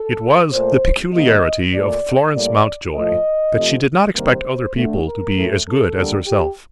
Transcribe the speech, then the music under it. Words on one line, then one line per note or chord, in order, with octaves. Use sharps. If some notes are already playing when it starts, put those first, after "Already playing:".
It was the peculiarity of Florence Mountjoy that she did not expect other people to be as good as herself.
Already playing: A4
A#2 A3 C5
C3 D#3 A#3 D#5
A#2 A3 D5
A2 G3 A#3 D5
A2 F3 A3 D#5
C3 F3 A3
C3 D#3 G3 A#3 C5
D3 A3
A#4
A2 A3
A4
D3 G3 A#3
G4